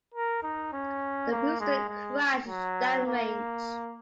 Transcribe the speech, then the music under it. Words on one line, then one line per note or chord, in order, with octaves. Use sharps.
The booster crashed downrange.
A#4
D#4
C#4
A#3
G#3
G#3
F#3
A#3